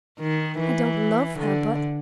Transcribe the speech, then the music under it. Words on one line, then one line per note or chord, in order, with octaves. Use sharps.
I don't love her, but...
D#3
E3
D3